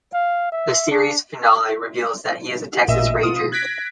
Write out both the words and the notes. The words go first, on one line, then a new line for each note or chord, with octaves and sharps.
The series finale reveals that he is a Texas Ranger.
F5
E5
D4
A1 A#2 D#5 E5
B2 F4 D#6
F#6 G#6 A#6 B6 D7